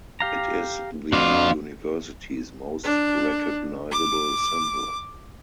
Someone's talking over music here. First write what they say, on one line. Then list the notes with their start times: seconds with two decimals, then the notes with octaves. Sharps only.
It is the university's most recognizable symbol.
0.20 G4 F5 A#5
1.13 F2 D4 F4 F#4
2.84 D4
3.91 D6